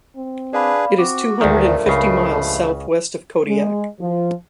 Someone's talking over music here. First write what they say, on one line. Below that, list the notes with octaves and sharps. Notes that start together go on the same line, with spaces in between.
It is two hundred and fifty miles southwest of Kodiak.
C4
D4 G#4 B4 D5 F5 B5
C4 F#4 D6
D2 G2 D#3 F3 A3 A#4 D5
C#2 C#3 B5 C7
G#3
F3